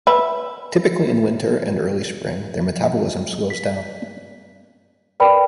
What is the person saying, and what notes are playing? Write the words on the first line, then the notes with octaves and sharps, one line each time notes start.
Typically in winter and early spring their metabolism slows down.
B4 E5
B6
A#4 B4 D5 G5 B5